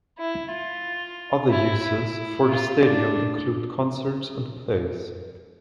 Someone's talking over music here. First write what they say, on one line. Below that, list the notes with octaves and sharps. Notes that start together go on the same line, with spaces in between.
Other uses for the stadium include concerts and plays.
E4
F4
E4
E4
F4
D4